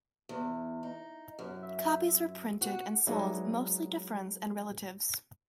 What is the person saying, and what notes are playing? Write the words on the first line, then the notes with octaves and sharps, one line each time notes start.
Copies were printed and sold mostly to friends and relatives.
E2
D#4
F#2
E5
F#4 F#5
F#3 G#3 D#4 B4 D5 E5